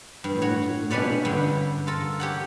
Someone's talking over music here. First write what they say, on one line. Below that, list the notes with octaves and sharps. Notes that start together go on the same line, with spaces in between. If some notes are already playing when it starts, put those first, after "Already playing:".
you know, which is another passion
G2
F#4 C#5
G3 C#4 D4 B4 C#5 D5
G2 D3 D4 C#5 G5
F4 A4 A#4
G4 C#5 F#5